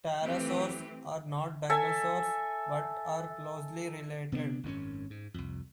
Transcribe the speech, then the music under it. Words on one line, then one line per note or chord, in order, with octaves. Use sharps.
Pterosaurs are not dinosaurs but are closely related.
E3 A3 C4 G4 B4
A4 E5 G#5
C3 B3 C4 D4
G#1 F#2 C4 C#4
G#2
C2 F2